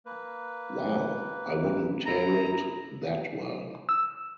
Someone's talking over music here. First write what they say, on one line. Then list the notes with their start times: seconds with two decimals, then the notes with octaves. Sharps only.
Wow, i wouldn't tale it that well.
0.06 A#3 B4
2.06 E4 A#5
3.89 E6